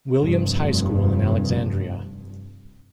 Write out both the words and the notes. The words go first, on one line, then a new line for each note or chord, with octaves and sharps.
Williams High School in Alexandria.
F1 G2